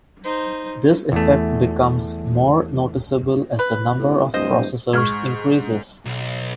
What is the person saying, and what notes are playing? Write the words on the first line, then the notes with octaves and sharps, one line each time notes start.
This effect becomes more noticeable as the number of processors increases.
D#4 C5
E2 A3
B4
A2 C3
D1 G2 C5 D#5
G#2 C#6 F6 G#6
B1